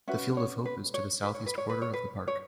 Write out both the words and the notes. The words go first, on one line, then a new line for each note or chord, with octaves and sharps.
The Field of Hope is to the south-east quarter of the park.
C#4 F#4 B4 E5
C#5
B4
C#5
B4
C#5
B4
C#5
B4
C#5
B4
C#5